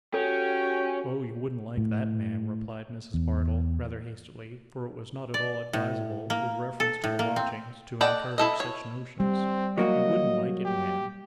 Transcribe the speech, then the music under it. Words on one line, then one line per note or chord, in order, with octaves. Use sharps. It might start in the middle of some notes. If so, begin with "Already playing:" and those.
'Oh, you wouldn't like that, ma'am,' replied Mrs. Bardell, rather hastily; for it was not at all advisable, with reference to the lodgings, to encourage such notions; 'you wouldn't like it, ma'am.'
C#4 F#4 G4 A4 G5
A2
E2
D5
A2
A#3
A4
A2
A#3
C4
A4 D5 D#5 F#5 G5
E4 A4 D#5
C#5
G3 C4
F#3 A#3 F#4 D#5
G4